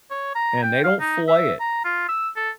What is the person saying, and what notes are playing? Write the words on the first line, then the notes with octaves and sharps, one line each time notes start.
and they don't fillet it.
C#5
A#5
G5
F5
D#4
E5
A#5
F4
E6
A4